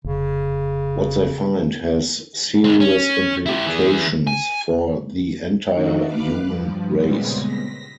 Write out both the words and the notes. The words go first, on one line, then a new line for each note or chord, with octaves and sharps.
What they find has serious implications for the entire human race.
F1 C#3
G#3 C4
C#4
E4 G4
E3 G#4
G#5
D#3 A3 D4 D#4 F#4
B4 F5 D6 F#6
G2 F3
A#2 C#3 G3 G#3 B3 C4
A#6 B6